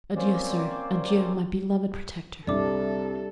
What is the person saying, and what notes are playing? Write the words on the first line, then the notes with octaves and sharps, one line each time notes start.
"Adieu, sir, adieu, my beloved protector."
A#3 C4 C#4 C5 D5
C2 C3 G3 D4 A4 D5 D6